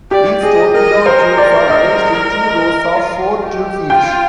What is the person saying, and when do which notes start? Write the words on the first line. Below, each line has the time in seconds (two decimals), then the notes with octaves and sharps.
These torpedo tubes are arranged in two rows of four tubes each.
0.11 G4 D5
0.43 G#4 D#5
0.74 A#4 D#5
1.06 A#4 C5
1.38 D5
1.70 D#5
2.96 F4
3.43 G4
3.90 F4 G5